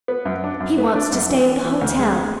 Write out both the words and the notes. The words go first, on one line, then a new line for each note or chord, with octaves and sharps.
He wants to stay at the hotel.
B3
F#2
D4
F#2
B3
D4
F#2
E3
B3
E3
D2
G#3